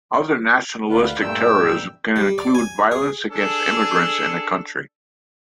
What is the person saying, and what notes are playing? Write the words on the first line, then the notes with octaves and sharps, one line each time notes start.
Other nationalistic terrorism can include violence against immigrants in a country.
D2 F4 B4
G2 A#2 A3 E5 G5 E6
G3
D5
G#5
G#4
D4 G#4 A4